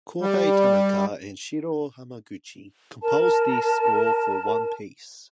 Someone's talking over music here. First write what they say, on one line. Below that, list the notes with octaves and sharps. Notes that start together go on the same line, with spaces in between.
Kohei Tanaka and Shiro Hamaguchi composed the score for "One Piece".
G3
A#4 A5